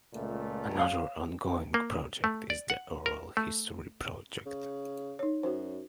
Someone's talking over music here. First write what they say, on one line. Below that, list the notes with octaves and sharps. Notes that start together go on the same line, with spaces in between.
Another ongoing project is the Oral History Project.
C#2 A#2 A3
B4 C#5 F5
A#3
A3
D5
F#5
A#4
A3
C#3
D#4 C#5
F#2 F#4 C5